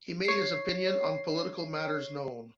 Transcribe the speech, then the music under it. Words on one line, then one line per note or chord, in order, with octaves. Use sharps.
He made his opinions on political matters known.
C#5 C7